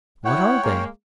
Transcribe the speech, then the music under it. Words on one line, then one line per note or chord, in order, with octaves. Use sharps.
What are they?
E4 C#5 F#5 G5
G#3 A#3